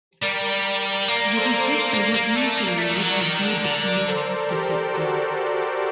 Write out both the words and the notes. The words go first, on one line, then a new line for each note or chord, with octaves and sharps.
The detector was usually a grid-leak detector.
G3 A#4 D5
A#3 A#4 D5
A4 C5
A4 C5
A#3 A#4 D5
A#3
A3
A#3
A#3
A3
D#3
F#3
D#3
D3
D3 A#4 D5
A4 C5
G4 A#4
F#4 A4